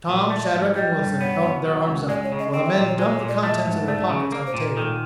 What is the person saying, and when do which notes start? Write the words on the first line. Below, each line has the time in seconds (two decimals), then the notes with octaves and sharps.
Tom, Shadrack, and Wilson held their arms up, while the men dumped the contents of their pockets on a table.
0.09 A#2
0.30 A3 D5
0.54 G#2
0.75 G3 D#5
0.98 G2
1.21 B3 C#5
1.43 B2
1.65 F#3
1.87 C#2
2.09 G#3 D5
2.24 C#5
2.32 C#3
2.39 D#5
2.53 C4 D#5
2.65 E5
2.76 A#2 D#5
2.87 C#5
2.99 G#3 C5
3.13 C#5
3.20 A#2
3.28 D5
3.43 A3 D#5
3.65 G#2
3.87 A3 D5
4.09 C#3
4.32 A#3
4.47 C5
4.54 A#2
4.61 B4
4.76 D#3 A4